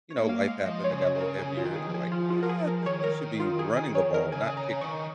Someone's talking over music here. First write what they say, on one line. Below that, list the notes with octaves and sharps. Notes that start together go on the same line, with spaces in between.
you know, life happened, I got a little heavier, and they're like, "I think he should be running a ball, not kicking one."
C#5
A#3
F5
G#3
F5
F3 D#5
C#5
C#3
C#5
C#3
A#4
C#3 G#4
F4
D#3
G#4
F3
G#4
F4
F4
A#4
G#4
A#4
D#3 C#5
A#4
F4
G#4
G#4
C#5
A#4
C#3 G#5
G#5
C#3 A#5
D#3 C#6